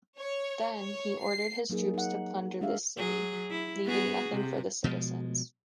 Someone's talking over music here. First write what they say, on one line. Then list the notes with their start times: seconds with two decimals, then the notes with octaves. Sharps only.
Then, he ordered his troops to plunder the city, leaving nothing for the citizens.
0.17 C#5
0.78 C#5
1.23 C7
1.70 F#3 A#3 D#4 G#4
1.94 D#4 F#5
2.61 G#3 D4 G4 E5 F5
2.97 F#3 G#4
3.50 E4
3.85 B3 F#4 G#4
4.30 C3
4.84 B2 F3 G#3